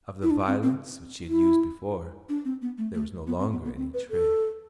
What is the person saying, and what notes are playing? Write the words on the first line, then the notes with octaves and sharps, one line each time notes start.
Of the violence which she had used before there was no longer any trace.
E4
D4
C4
C4
E4
D4
C4
B3
A3
A3
B3
C4
B3
B3
C4
B4
A4